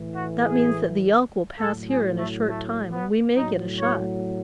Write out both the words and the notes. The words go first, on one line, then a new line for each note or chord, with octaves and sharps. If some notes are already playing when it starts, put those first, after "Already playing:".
That means that the elk will pass here in a short time and we may get a shot.
Already playing: A2 E3
F#4
G#4
A2 F#3 A4
G#4
A3
A3
B3
A2 F#3 D#4
C#5